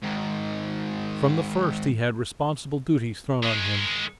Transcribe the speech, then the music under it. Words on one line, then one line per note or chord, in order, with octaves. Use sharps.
From the first he had responsible duties thrown on him.
G#2 D#3
D#3 G#3